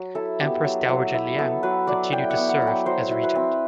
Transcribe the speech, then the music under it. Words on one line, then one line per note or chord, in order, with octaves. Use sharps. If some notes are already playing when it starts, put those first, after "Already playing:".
Empress Dowager Liang continued to serve as regent.
Already playing: F#3
E4 A4
B3 G4
F#3
F#3
E4
B3 A4
F#3 B4
F#3 D5
E4 G5
F#5
B3
F#5
F#3
G5
F#3 C5
E4
B4
C4